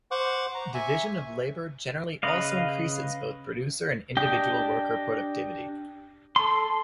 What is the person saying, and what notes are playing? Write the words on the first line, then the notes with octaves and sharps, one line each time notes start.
Division of labour generally also increases both producer and individual worker productivity.
C5 F#5 C#6 D6
A#5
E5 G#5 C#6
C#3 B4 D#5 F5
D4 G4 D#5 G5
A4 C6